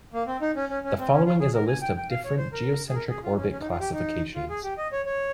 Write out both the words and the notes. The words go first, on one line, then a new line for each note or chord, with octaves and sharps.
The following is a list of different geocentric orbit classifications.
A#3
C4
D#4
C#4
C#4
C#4
C4
C#4
F4
G#4
A#4
G#5
G5
G5
F5
C#5
C5
A#4
G#4
A#4
G#4
F4
C#4
C#4
D#4
F4
G4
D#4
F4
G#4
G4
D#5
C#5
C#5